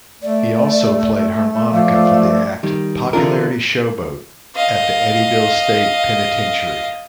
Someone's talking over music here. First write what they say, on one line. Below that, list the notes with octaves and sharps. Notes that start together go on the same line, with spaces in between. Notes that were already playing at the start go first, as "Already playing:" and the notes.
He also played harmonica for the act "Popularity Showboat" at the Eddyville State Penitentiary.
A3 D5
F3 D5 F5
D#3 G3
D3 E3 D4 F4 A#4
D#5 F5